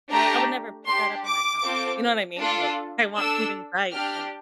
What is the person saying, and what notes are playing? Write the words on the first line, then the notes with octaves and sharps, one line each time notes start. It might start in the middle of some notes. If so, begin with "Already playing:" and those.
I would never put that up in my house," you know what I mean? Like, I want something bright and
A3 D4 G4 A#5
D4 G4 C6
D6
C4 F4 A4
D4 F4 A4
D4 A4 E6
D4 G4 F6